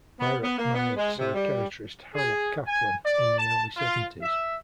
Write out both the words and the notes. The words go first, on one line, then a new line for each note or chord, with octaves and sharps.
Barrett married psychiatrist Harold Kaplan in the early seventies.
B3
B3
A#3
B3
G#3
C3
G3
G#4
G#5
D5
A5
F4
E5